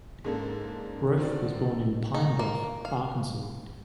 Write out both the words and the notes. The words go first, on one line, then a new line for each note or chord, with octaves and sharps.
Roaf was born in Pine Bluff, Arkansas.
G#2 C#3 A#3 D4 A4
D3 D#3 C4 D#4 F#4 D5
D#4
A#3
F5